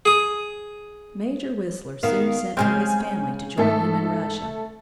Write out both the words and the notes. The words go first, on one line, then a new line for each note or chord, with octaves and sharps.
Major Whistler soon sent for his family to join him in Russia.
G#4 D#6
D#3 B3 F5
C#3 G#3 C4 G#5 F6 G6
G#2 A3 A4 E5